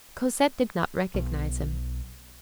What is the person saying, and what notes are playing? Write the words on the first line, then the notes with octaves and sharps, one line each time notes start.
Cosette did not recognize him.
B1